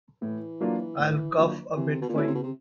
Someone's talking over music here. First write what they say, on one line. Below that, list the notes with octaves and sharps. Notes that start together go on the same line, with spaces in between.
I'll cough a bit for you.
A2 E3
F#3 A#3 D4 F4
A2
F#3 A#3 D4 F4
C3 E3
B2
A#2
B2 A3 C#4 E4
C3
B2
C3